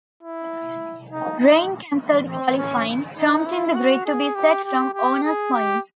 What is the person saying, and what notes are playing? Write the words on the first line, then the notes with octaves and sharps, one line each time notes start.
Rain cancelled qualifying, prompting the grid to be set from owner's points.
E4
D#4
D#4
C4
C#4
D#4
E4
F#4
G#4
G4
G4
G4
G#4
G4